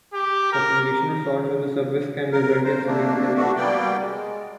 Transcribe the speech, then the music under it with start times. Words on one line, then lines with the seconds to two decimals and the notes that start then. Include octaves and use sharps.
Accumulation of salts on the surface can result in salinization.
0.14 G4
0.52 A#4
2.32 A#4
2.64 C5
2.85 A3 A#3 D4
3.35 E3 A3 D4 F#4
3.56 B2 G3 A#3 B3 D5 G5
3.99 G#3